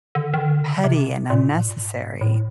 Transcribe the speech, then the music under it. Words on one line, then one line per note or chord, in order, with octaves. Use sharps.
petty and unnecessary.
D3
D#3
D3
C#3
C3
B2
A#2
A2
G2
G#2
A2